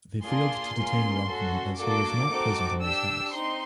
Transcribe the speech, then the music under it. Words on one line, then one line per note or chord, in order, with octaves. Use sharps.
They failed to detain Rahman as he was not present in his house.
A#3 D4 F4 G#4 C6
A#3 C#4 F4 G#4
C#4 F#4 A4
A#3 D4 F#4 A4 D6
C4 D#4 F#4 A4
D4 G4 E6
C4 D#4 C6